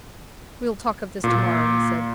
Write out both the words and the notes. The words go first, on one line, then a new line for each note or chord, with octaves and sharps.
"We'll talk of this to-morrow," he said.
A#2